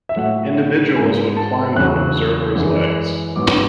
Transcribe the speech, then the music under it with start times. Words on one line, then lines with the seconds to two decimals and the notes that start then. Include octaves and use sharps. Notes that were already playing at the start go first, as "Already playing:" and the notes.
Individuals would climb on observer's legs.
0.09 E5
0.16 A2 F#3 A3 F#5
0.96 G#2 G#3 B3 G#5
1.37 A5
1.76 E2 C#3 F#3 F#6
2.55 F#2 E3 G#3
3.36 G#2 F#3 B3 D6